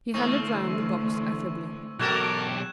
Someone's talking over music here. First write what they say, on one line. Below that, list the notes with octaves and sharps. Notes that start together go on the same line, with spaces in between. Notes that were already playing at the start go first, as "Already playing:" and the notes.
He handed round the box affably.
G#2 D3 E3 A3 C4 C#6 E6
B1 F#4 G4 A4 A#4 F#6 G#6 E7